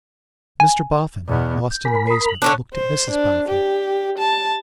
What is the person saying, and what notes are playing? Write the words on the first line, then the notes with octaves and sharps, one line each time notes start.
Mr Boffin, lost in amazement, looked at Mrs Boffin.
G#5
E2 B2
G6
A#4 G#5 B5 D6
D#6 B6 C7
F7 F#7
D3 C#4 D4 F#6
C5
D4
G4
A5